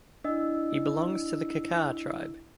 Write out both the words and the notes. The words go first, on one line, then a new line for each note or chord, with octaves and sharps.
He belongs to the Kakar tribe.
D4 E4 D#5 E6